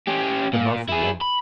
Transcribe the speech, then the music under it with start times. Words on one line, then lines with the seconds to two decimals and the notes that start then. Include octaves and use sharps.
But not for long.
0.07 C#4 G4
0.53 A#2
0.89 E4 G#4
1.21 B5